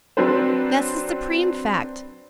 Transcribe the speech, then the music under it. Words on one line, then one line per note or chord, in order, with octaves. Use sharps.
That's the supreme fact.
F#3 C4 D4 B4 C5